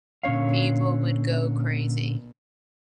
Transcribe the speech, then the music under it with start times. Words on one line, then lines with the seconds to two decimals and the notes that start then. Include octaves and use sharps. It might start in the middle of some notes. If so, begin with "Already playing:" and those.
People would go crazy.
0.23 A#2 D3 C#4 C#5 F5